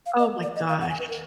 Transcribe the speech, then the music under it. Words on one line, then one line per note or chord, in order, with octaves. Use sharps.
Oh, my gosh.
F5
D#5
D5
D#5
F5
F#5
G#5
B4
A#4